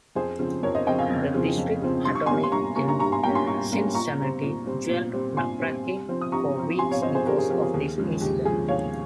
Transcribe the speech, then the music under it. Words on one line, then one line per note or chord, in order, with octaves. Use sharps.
The district attorney in Cincinnati jailed McCrackin for weeks because of this incident.
F2 G#4 C5
C#3 F3 C4
F2 A#4 C#5
C5 D#5
C#3 F3 C4 D#5 G5
F5 G#5
F2
C#3 F3 C4
F2
C#3 F3 C4
G2 C6
C#6
G3 A#3 C#4 G#5 C6
C6
G2 A#5 C#6
G3 A#3 C#4 A#5 C#6
A#5 C#6
G2 A#5 C#6
G#5 C6
G3 A#3 C#4 G5 A#5
G#5 C6
G2 A#5 C#6
G3 A#3 C#4
A#2 A#5 C#6
G3 C4
A#2
G3 C4
A#2
G3 C4
A#2 G#5 C6
G3 C4
C3
F3 C4
D#6
C3 A#5 C#6
F3 C4
C3 G#5 C6
C#5 F5
F3 C4 C5 D#5
G#4 C5
C3 G4 A#4
G#4
F3 C4 G4
G#4
D#2 G#4
C#3 F3 G#3
D#2 G4
C#3 F3 G#3 G#4
D#2 C#5 F5